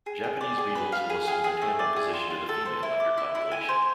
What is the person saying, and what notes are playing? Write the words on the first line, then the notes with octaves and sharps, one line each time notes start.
Japanese beetles will assume a tandem position to the female after copulation.
G#4
G#4
D5
G#4
B4
F5
G#4
G#4
G#4
A3
D5
G#4
F4
F4
A4
C5
E4
D5
E4
E4
G#5
C5